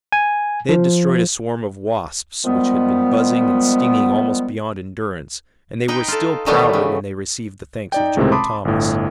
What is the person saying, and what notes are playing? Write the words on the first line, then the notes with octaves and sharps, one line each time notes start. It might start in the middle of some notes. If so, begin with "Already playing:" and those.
They had destroyed a swarm of wasps which had been buzzing and stinging almost beyond endurance, and they were still prouder when they received the thanks of General Thomas.
G#5
F3
D#3 F3 G3 G#3 B3
D#4 B4 G5
F4 A4
D#3 E3 F#3 G3 A3 B3
C#3
D#4 D5 G5
C#2 A2 C3 D#3 G#3 C4
A5 B5 C6 D6 D#6
G1 A2